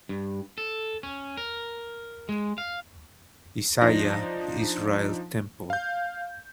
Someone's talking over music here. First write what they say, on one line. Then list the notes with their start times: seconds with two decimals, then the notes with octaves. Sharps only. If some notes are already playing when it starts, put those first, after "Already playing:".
Isaiah Israel Temple.
0.09 G2
0.58 A4
1.03 C#4
1.37 A#4
2.29 G#3
2.58 F5
3.82 F3 D4 D#4 A#6
5.70 F5 G6